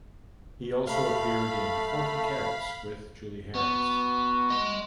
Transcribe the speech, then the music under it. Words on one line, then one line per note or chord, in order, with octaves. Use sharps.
He also appeared in "Forty Carats" with Julie Harris.
A3 F5 B5
B3 F#4
D#5 C6